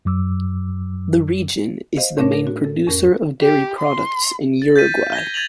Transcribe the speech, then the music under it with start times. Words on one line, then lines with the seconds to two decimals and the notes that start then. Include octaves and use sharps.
The region is the main producer of dairy products in Uruguay.
0.05 F#2 F#3 D6 E6
1.97 C5 D#5 F5
2.18 A2 A3 C#4 D4 A#4 C#5
2.32 D4 A#4
2.47 F#4
2.64 A4
2.87 F2 C#4 A#4
3.42 G4
3.79 C6
4.62 A6
4.76 G6 A6 B6 D#7
5.13 G#6 A#6 G7
5.34 G#6 A6 D#7 F7 F#7